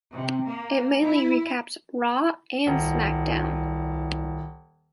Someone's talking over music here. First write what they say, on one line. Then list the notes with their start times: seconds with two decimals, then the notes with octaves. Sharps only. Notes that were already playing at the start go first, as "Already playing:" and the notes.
It mainly recaps "Raw" and "SmackDown".
0.13 C3
0.46 A#3
1.03 E4
2.67 D#1 C2